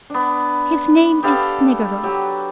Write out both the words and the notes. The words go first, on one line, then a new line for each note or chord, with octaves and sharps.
His name is Snegiryov.
B3 D4
B3 G4 A4 F5
F#3 G4